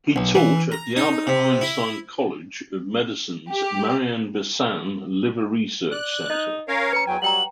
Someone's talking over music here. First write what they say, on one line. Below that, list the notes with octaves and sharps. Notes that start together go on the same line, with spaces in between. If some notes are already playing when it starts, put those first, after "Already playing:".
He taught at the Albert Einstein College of Medicine‘s Marion Bessin Liver Research Center.
B1
E3
A#5
D#4
C3
E4
G4
D5 F#6
D#4 D#5
C#4 A#4 C#5 F5
B4 A#5 C#7
E2 F#3 G5 G#5
F#3 G3 F#5 G5 A#5 F#7